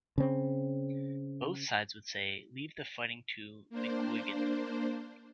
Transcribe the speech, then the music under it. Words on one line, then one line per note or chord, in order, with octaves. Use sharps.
Both sides would say: 'Leave the fighting to McGuigan.
C#3 C4
A#3 D4 C5